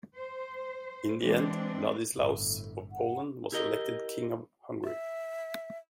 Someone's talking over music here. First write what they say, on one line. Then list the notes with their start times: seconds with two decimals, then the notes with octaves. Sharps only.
In the end, Vladislaus of Poland was elected King of Hungary.
0.16 C5
1.20 E3 G#3 C4 D4
2.15 G1 A2
2.92 F#5
3.52 E4 G4 A#4 D#5
4.84 E5